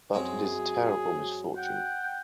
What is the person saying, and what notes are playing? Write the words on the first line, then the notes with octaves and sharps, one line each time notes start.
But it is a terrible misfortune.
F#2 G#3 C4 G#4
F#5 G5